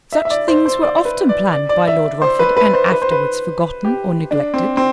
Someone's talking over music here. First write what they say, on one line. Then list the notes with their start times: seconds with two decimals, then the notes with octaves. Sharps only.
Such things were often planned by Lord Rufford, and afterwards forgotten or neglected.
0.13 E5
0.25 E5
0.30 D5
0.48 C5
0.66 C5
0.83 D5
1.05 B4
1.29 D5
1.52 D5
1.69 D5
1.87 E5
2.22 C5
2.39 B4
2.57 B4
2.74 C5
2.91 B4
3.02 C5
3.11 B4
3.85 G4
4.31 D4
4.54 C4
4.77 C4